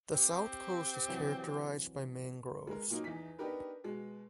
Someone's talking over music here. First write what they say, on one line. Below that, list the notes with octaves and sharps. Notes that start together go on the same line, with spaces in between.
The south coast is characterised by mangroves.
C4 G4
C3 E3 F#3
G#3 A#4
A#2 F#3 A#3 D#4
E2 E3 D#4 B6
B3 D4 D#4 G4 A#4 B4
B2 G#3